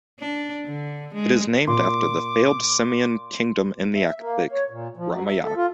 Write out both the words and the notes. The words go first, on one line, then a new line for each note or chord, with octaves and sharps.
It is named after the fabled simian kingdom in the epic - Ramayana.
D4
D3
G#3
A#2 C6 D6
E5
A#3
C#5
A#2
F3
F#3
E5
A4
F4